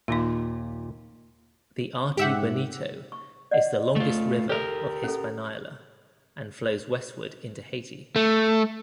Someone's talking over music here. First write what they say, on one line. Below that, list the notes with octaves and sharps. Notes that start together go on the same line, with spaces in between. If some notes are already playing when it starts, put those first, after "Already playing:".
The Artibonito is the longest river of Hispaniola and flows westward into Haiti.
D#2 A#2 A#3 D#4 F4
G#2 G4 E5 F#5
C#6
D5 D#5 F#5
A3 F4
G4 A4 A#4
C#4 A4
A3